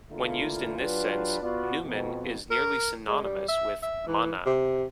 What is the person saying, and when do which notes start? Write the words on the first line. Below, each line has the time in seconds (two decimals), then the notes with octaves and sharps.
When used in this sense, "numen" is nearly synonymous with "mana".
0.12 D3 E3 A3 A#3 F4
0.78 F#3 D4 F4 G4 B4
1.42 B3 F4 F#4 D5
1.84 F2 B2
2.51 A#4
3.07 G#3
3.24 G3
3.48 E5
3.83 E5
4.07 E3
4.46 C3